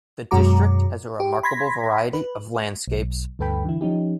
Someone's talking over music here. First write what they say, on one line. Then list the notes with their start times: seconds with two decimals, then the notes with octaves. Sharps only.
The district has a remarkable variety of landscapes.
0.31 F#2 B2 G#3 F#4 A#5 D6
1.20 G4
1.43 B5 C6 G#6 A#6 B6
2.13 B4
2.88 B1
3.39 D2 G2 A4 B4 G5 B5
3.65 D3 E3 E4
3.81 F3 C#4 D#4 G4